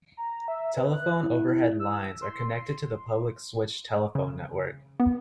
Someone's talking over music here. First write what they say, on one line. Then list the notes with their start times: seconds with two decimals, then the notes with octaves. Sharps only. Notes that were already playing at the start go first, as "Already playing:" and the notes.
Telephone overhead lines are connected to the public switched telephone network.
0.17 A#5
0.48 E5
0.77 B4
0.93 F#6
1.20 E4
1.79 E6
2.21 C6
4.15 C#3
5.00 B3